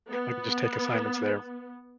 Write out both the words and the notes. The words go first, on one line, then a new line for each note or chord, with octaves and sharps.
I can just take assignments there,
B3